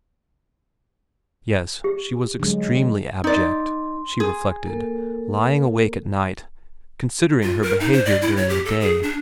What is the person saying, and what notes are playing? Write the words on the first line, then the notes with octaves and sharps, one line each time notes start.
Yes, she was extremely abject, she reflected, lying awake at night considering her behaviour during the day.
G4
D3 F#3 G#3
D#4 D5 C6
G#4
A#3 A4 A#4
F4
A#4
D#4
C5
D5
E4
C#5
G4
A4
G#4
D4